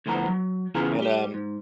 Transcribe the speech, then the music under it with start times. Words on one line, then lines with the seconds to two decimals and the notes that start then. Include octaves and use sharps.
and, um
0.06 D2 A2 F3 B3 A#5
0.28 F#3
0.75 C#3 E3 B3 F4 G#4 A#5
0.99 G3 G4
1.34 G#2